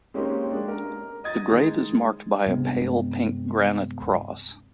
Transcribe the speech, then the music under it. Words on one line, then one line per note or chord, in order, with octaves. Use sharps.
The grave is marked by a pale pink granite cross.
G#3 A#3 C4 C#4 D#4 G4
G#3 D4
A#4
D#5 D#6 G#6 A6
D#3 G#3 D#4
G2 C3 G#3 B3 C4